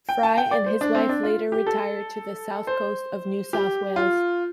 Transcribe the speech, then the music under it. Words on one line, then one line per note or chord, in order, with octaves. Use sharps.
Fry and his wife later retired to the South Coast of New South Wales.
G5
A5
G5
D5
C5
D4
C4
D4
F4
G4
A4
C5
G4
F4